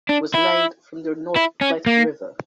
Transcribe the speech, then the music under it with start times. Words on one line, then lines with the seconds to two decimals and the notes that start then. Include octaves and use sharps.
It was named from the North Platte River.
0.09 D4
0.35 E4
1.36 E4
1.61 C#4
1.86 A#3